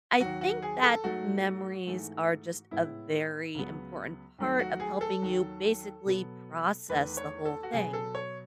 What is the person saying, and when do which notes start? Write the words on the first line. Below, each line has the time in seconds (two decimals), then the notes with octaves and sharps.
I think that memories are just a very important part of helping you basically process the whole thing.
0.20 D#2 D#3 F#3 F#4
0.41 F#4
0.62 G#4
0.83 A4
1.03 G#2 F#3 A3 F#4
1.87 G#2 E3 A3
2.71 A2 G#3 B3 E4
3.55 C#2 C#3 F#3 B3
4.38 D#2 D#3 F#3 A3
4.59 F#4
4.80 G#4
5.01 A4
5.22 D#2 D#3 F#3
6.05 B2 F#3 B3
6.89 E2 D#3 A3 B4
7.17 C#5
7.45 A4
7.63 F#4
7.73 B2 F#3 B3 G#4
7.93 A4
8.15 C#5